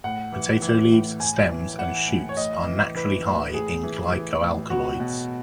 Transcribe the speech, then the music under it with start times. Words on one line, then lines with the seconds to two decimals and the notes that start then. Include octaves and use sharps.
Potato leaves, stems, and shoots are naturally high in glycoalkaloids.
0.04 A2 F#5
0.32 E3
0.62 E3
0.92 A2
1.20 A2 G#5
1.50 E3
1.79 E3 F#5
2.08 A2
2.29 C#5
2.37 A2 D#5
2.66 E3
2.95 E3 B4
3.25 A2
3.54 A2 G#4
3.83 E3
4.12 E3
4.41 A2
4.70 B2 F#4
5.00 B2